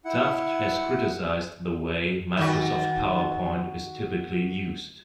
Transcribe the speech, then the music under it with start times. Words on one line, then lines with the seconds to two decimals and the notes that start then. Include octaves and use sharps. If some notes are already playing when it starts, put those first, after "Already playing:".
Tufte has criticized the way Microsoft PowerPoint is typically used.
0.05 E4 F#5
2.37 D#3 F#4